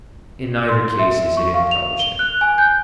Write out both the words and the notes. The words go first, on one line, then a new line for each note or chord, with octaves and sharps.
In neither case is it intelligent.
C6
E5
C#6
F5
F7
G7
F#6
G#5
G6